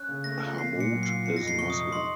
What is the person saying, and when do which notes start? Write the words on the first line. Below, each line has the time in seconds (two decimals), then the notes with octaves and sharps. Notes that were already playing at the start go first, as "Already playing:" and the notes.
Hammoud is Muslim.
Already playing: C#4 F#6
0.09 C#3
0.24 A3 A#6
0.42 F4
0.58 A#3 C7
0.75 A#2
0.81 C#7
0.92 F#3
1.03 C7
1.09 F4
1.25 F3 C#7
1.36 F2 A#6
1.48 C7
1.58 C3 C#6
1.70 D#6
1.75 F2
1.92 D#4 C6